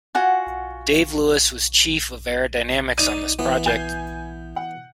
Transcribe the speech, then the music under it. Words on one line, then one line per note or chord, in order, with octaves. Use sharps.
Dave Lewis was Chief of Aerodynamics on this project.
F4 F#4 F#5 G#5
D#4 D5 D#7
E3 B3
G#5 G6 C7
F#5